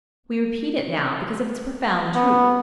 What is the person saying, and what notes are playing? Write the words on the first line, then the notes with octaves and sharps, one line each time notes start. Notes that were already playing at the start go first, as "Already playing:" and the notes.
We repeat it now because of its profound truth.
B3